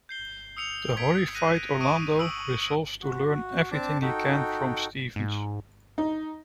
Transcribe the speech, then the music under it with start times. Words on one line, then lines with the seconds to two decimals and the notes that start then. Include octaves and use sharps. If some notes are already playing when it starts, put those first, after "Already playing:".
The horrified Orlando resolves to learn everything he can from Stevens.
0.09 G6 C7 G7
0.57 D#6 E6 C#7 F7
0.97 G#6 B6 D7
1.35 F#6 A#6 D#7
1.80 C#6 D#6 D7 D#7
2.19 D#6 E6 D7 F#7
3.02 F#4
3.72 C4 D4 A5 D6
4.01 D#4 F#4 A4 G5
5.16 G#2
5.98 D#4